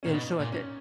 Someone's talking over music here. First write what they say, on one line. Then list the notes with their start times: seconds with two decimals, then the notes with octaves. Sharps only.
And, so, at that
0.03 A#2 C#4
0.14 B2 D#4
0.40 A#2
0.52 C#4